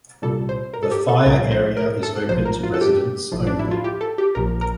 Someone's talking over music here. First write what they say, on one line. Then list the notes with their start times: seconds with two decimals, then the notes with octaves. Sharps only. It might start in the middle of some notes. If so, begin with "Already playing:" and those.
The fire area is open to residents only.
0.22 C2 A#2 G3 A4
0.49 C5
0.74 A#4
0.83 A4
0.91 G4
1.08 A4
1.26 C2 A#2 F3 A#4
1.51 C5
1.77 A#4
2.03 A4
2.29 A#1 A#2 F3 C5
2.45 A#4
2.63 F4
2.74 A4
2.81 G4
3.32 A1 A2 F3
3.47 D4
3.59 E4
3.71 F4
3.84 G4
4.01 A4
4.18 G4
4.35 A#1 A#2 F3 A#4
4.61 A#4